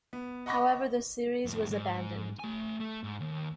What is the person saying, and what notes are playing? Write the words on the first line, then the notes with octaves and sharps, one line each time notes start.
However, the series was abandoned.
B3
D#5 F#5 B5 C#6 D6 A#6
F2 A2
G#2
A3 G#5
A3
G#2
D#2